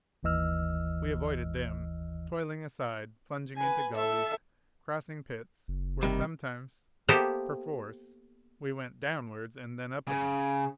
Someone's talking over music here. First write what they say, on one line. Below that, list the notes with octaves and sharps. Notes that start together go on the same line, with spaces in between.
We avoided them, toiling aside, plunging into gullies, crossing pits where sometimes, perforce, we went downwards, and then up again.
G1 D#2 E3 D#5 E6 F6
B4 G#5
A4 E5
F#1
C3 D#3 G3
A#3 B3 G4 A4 C5 E5
C#3